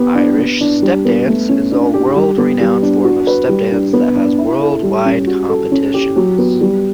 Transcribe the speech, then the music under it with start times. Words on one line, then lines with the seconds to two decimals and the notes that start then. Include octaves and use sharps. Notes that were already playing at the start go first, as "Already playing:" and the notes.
Irish stepdance is a world-renowned form of step dance that has worldwide competitions.
Already playing: B3 G4
0.15 D4
0.38 B3
0.61 D4
0.82 G3
1.05 B3
1.27 A3
1.49 C#4
1.72 D4
1.94 G4
2.15 G3
2.38 B3
2.60 G3
2.82 D4
3.04 F#4
3.27 B4
3.49 G3
3.71 D4
3.93 B3
4.16 D4
4.38 E4
4.61 A4
4.83 G3
5.06 C#4
5.27 F#4
5.49 A4
5.71 C#4
5.94 G4
6.16 F#3
6.38 B3
6.61 G3